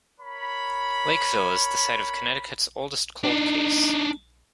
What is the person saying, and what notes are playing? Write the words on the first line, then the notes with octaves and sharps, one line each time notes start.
Lakeville is the site of Connecticut's oldest cold case.
A#4 C#5 B5
D4 D#4